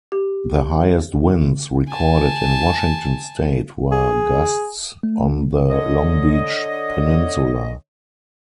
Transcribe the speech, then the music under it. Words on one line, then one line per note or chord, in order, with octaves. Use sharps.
The highest winds recorded in Washington state were gusts on the Long Beach Peninsula.
G4
G#5 A5
G#4
A3
D3 C#5 D#5